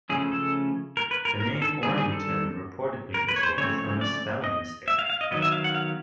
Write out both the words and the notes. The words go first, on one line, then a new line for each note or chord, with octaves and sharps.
The name "Orrington" reportedly resulted from a spelling mistake.
C#3 F3 A3 C#4 G#4
A4
A#4
B4
A#4
A#4
A4
D#3 G3 C4 G#4
G#4
A4
A#4
B4
C#5
C5
C#3 F3 A3 C4 C#5
C#5
D5
D#5
E5
F5
F5
D#5
D#3 F#3 B3 D#5
E5
F5
F#5
F5